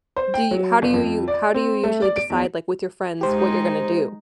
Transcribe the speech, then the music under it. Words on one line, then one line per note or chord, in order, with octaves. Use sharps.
Do you how do you u how do you usually decide, like, with your friends, what you're going to do?
C5
G5
F#3
G1
F2
D5
C4
A3
D5
D7
E2
G#3 D#4 G4 C5